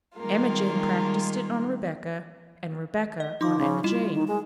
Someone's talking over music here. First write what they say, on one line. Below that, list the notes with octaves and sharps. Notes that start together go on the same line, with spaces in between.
Emma Jane practiced it on Rebecca, and Rebecca on Emma Jane.
D#3 G3 G#3 A#3 F4
D#5
F3 D#4 C6 D6
C#3
G3 E4 F4 E7
D#3
G#3